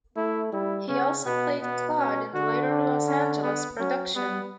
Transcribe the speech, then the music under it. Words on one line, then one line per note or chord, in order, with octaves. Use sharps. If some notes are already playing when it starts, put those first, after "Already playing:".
He also played Claude in the later Los Angeles production.
A3 E4
G3 E4
C#3 C#4
B2 B3
B2 B3
C#4
D3 F#4
D4
C#4
B3
F#3 C#4
G3 B3